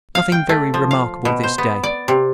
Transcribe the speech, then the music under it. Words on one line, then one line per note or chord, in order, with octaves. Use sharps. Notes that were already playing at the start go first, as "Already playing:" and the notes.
Nothing very remarkable this day.
F5
G5
A3
F3
F5
B2
C5
B3
D5
C3